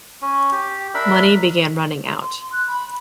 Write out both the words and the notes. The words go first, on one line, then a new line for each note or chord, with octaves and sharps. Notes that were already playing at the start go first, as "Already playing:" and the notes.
Money began running out.
C#4
G4
D4 A#4 E5 B5
C6
F#6
B5